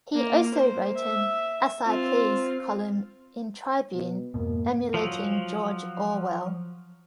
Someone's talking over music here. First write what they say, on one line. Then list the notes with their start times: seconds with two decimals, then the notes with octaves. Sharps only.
He also wrote an "As I Please" column in "Tribune", emulating George Orwell.
0.15 A#3
0.54 C5
0.97 E5
1.85 C4 F4
3.94 B2
4.34 F2 G#2 B2 A#3
4.94 F3 F#3